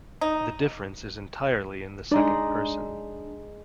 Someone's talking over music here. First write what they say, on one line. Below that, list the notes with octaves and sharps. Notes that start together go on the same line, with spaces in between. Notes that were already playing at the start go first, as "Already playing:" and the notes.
The difference is entirely in the second person.
D#4
G#3 D4 D#4 D5